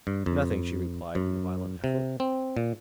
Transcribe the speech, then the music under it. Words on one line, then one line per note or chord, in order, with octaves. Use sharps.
"Nothing," she replied with a violent effort.
G2
F2
F#2
C3
C4
A#2